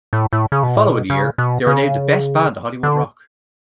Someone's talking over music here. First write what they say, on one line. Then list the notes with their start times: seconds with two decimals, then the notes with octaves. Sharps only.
The following year they were named the best band of Hollywood Rock.
0.13 A2
0.33 A2
0.52 C#3
0.63 B2
0.76 A2
0.88 B2
1.10 C#3
1.38 B2
1.67 C#3
2.83 D3